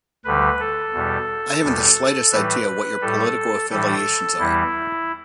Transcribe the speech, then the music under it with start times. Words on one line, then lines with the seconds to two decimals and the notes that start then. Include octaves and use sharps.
I haven't the slightest idea what your political affiliations are.
0.24 D2 D3 G3 B4
0.60 A4
0.94 E2 B2 G3
1.62 E2 B2 G3
2.32 A2 E3 G3 B4
3.01 A2 G3 A4
3.70 A2 E3 G3 A4
4.39 E2 E3 G3 E4